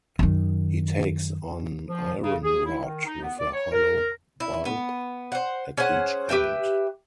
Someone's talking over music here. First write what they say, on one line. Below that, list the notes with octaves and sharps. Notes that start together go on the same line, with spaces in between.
He takes an iron rod with a hollow bulb at each end.
F#2 D#3
F3
C#3
G#4
E4
D#3
D#4
B3
D5
C#5
A#4
E4
B3
C5 F#5
C#4 G#4 C5 F#5
G4 B4 E5 G5